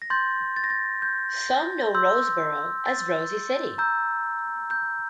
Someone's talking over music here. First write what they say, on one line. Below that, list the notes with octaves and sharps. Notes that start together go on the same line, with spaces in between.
Some know Roseboro as Rosie City.
A#6
C6 G6 A6
A6
A#6
A6
G6
C6 E6 G6
A6
A#5 E6 G6
G6